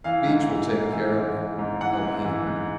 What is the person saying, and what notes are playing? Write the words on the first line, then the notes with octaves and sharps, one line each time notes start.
Beach will take care of--of him.
E3 F5
G#2
E3
G#2
E3
G#2
E3
G#2
E3 F#5
G#2
E3
G#2